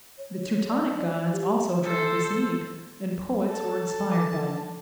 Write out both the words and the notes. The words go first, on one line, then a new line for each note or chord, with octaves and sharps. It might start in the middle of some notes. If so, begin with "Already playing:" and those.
The Teutonic gods also drank this mead, and poets were inspired by it.
C#5
D5
G4
A4 C5
A4 A5
F3 D5 G#5 D6